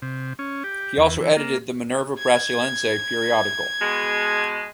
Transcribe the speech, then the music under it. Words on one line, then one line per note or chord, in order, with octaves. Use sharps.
He also edited the "Minerva Brasiliense" periodical.
C3
C#4
G4
E2
E3
A#3
G#6
B2 G#3